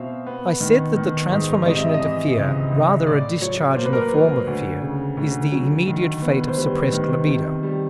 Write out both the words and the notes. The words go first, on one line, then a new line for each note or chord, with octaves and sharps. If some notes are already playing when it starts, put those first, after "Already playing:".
I said that the transformation into fear, rather a discharge in the form of fear, is the immediate fate of suppressed libido.
Already playing: B2 C4 E5 F5
B3
D#3
D#3
G#2
C3 D#5
E5
D#5
E3
C#2
C#2
A2 D5
F#3 C#5
A#3 C5
B4
A#4
B4
F#3
D2
C#3
D2
F#3
D#3
B3
C5
G3 B4
D#3
C3
G3